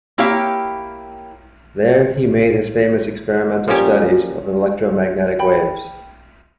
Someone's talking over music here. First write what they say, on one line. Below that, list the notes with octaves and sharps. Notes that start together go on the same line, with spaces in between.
There he made his famous experimental studies of electromagnetic waves.
A#3 E4 G4 C#5 F5
F3 G3 A#3 C#4 G4
G5 B5